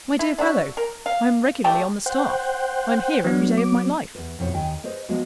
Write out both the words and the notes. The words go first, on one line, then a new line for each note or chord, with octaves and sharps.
"My dear fellow, I am regularly on the staff; I'm here every day of my life."
E4
D4 F#4 E5
A#4
F5
A3 G4 D5 G5
C5 F#5 G5
F#3 B3 D4
D6
E2 B4
F2 B2 F3 E4 C#5
D#2 D#3 G5 G#5
G#4 B4 C5 D#5
F3 G#3 A#3 B3 F#4